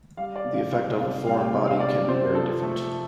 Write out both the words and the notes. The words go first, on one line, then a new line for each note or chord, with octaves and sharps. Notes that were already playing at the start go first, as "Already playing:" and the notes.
The effect of a foreign body can be very different.
G3 F5
D5
C3
F5
G3 F5
C3 F5
G3 F5
G5
C3 G5
F5
G3 D5
C3 C5
F3 A4
A3